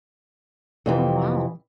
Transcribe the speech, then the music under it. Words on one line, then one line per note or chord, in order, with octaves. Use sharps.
Oh, wow.
F2 C3 E3